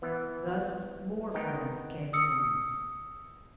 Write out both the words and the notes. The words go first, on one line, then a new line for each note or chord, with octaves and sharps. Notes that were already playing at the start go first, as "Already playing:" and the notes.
Thus more friends came among us.
E3 B3
D#3 B3 D#4 A#4 G5
D#6 E6 C#7